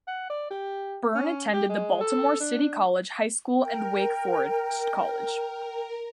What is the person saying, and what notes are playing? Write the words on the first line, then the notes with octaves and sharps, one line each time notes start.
Byrne attended the Baltimore City College high school and Wake Forest College.
F#5
D5
G4
C#4
G4
G#3
A4
D4
A#4 G5